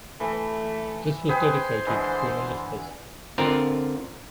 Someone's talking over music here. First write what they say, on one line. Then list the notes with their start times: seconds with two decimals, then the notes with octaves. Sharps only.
This was dedicated to Queen Elizabeth.
0.20 E3 A3
1.29 G#4 B4 C5 G5
1.87 D3 E3 G#3
3.38 D3 C4 F4 A#4